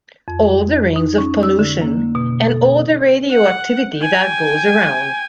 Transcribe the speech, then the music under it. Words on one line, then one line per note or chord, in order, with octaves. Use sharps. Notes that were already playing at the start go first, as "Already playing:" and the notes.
All the rings of pollution, and all the radioactivity that goes around.
F2
D#4
C#4
E6
D3
A#3
B2
A4
F#5
G5 G#5